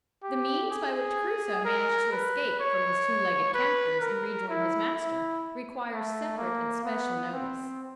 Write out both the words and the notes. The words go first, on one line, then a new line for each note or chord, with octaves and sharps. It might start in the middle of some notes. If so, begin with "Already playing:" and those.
The means by which Crusoe managed to escape from his two-legged captors, and rejoin his master, requires separate and special notice.
G4
G#4
A#4
B4
C#5
B4
A#4
E4
E4
A3
A#3
B3
C4